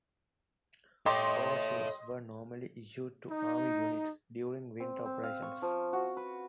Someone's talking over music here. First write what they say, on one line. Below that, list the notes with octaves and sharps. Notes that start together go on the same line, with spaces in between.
Overshoes were normally issued to Army units during winter operations.
G4 A4 C#5 D#5 C6
D#4
C4
C4
F5
C#6
F3
F#4
B4